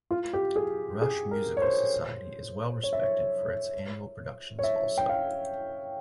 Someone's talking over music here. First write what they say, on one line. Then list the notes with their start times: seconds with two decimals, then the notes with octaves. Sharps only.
Rush Musical Society is well respected for its annual productions also.
0.11 F4
0.33 G4
0.56 G#4
1.02 G#4
1.31 A#4
1.57 C#5
1.62 C5
2.83 C#5
2.93 E5
3.02 C#5
4.59 C#5
4.64 E5
4.98 G5
5.09 F5